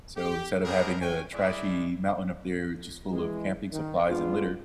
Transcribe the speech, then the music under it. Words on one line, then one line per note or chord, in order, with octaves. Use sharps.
So, instead of having a trashy mountain up there just full of camping supplies and litter,
G4
B3 C4 D4 G4 G#4 A#4
C#5 G5 G#5
G#3 E4 D5
E3 G#3
D#3
G#3 B3 D4 F4